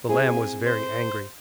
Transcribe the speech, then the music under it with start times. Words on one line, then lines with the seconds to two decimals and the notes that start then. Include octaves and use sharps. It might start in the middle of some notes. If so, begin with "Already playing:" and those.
The lamb was very angry.
0.09 C4 E4 G#4 G#5
0.66 C5